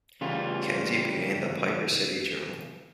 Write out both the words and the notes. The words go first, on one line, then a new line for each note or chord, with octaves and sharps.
Kensey began the "Piper City Journal".
C#3 E3 G3 A3 F4